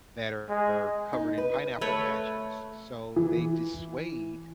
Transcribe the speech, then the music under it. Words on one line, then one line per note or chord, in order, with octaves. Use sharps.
that are covered in pineapple patches, so they dissuade
G#3
D#4
B4
A3 B4 C#5
E3